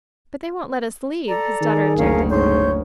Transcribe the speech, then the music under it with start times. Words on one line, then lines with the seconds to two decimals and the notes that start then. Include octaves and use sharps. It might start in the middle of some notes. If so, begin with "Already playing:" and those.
"But they won't let us leave," his daughter objected.
1.28 A4 D5 A#5
1.61 D#3 G#4
1.96 F#1 D2 C#4 A#4 F5
2.30 G#2 C#5 C6 G6